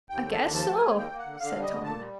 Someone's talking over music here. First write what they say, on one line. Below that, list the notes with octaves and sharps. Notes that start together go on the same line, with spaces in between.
"I guess so," said Tom.
D#2 G5
D3
A5
D#2
F3 A5
A3
G#5
D#2
A#3 G5
A#3
F#5
D3
D3 F5
G3
D#5
D3
A#2 A5
G3